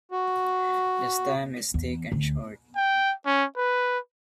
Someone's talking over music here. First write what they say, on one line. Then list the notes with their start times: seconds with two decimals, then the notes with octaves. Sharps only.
The stem is thick and short.
0.11 F#4
1.74 E2
2.12 D2
2.75 G5
3.26 C#4
3.57 B4